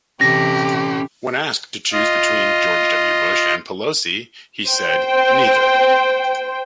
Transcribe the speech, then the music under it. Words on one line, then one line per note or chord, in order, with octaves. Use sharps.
When asked to choose between George W. Bush and Pelosi, he said "neither".
C3 E3 C#4 G4 A4 A#6
F4 D#5
C5 G5